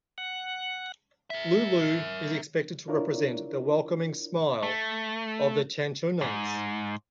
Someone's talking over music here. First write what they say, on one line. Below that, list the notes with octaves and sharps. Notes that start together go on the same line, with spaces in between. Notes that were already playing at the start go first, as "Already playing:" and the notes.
Lulu is expected to represent the welcoming smile of the Changchunans.
F#5
A#4 E5
D4 E4 F4 A#4 C#5 D5
A3
G#2